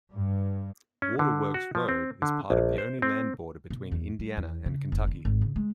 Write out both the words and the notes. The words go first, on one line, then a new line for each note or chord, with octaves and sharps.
Waterworks Road is part of the only land border between Indiana and Kentucky.
G2
C#4
D3
F#4
F3
C4
D3
A#1
C5
C4
B2
E2
G3
E2
C#3
F1
D3
G#1
C#3
G#3